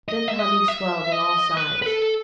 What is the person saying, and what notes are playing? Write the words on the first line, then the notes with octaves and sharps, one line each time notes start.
Then the humming swelled on all sides.
D#5
E5
D#5
E5
D#5
B4
B4
A4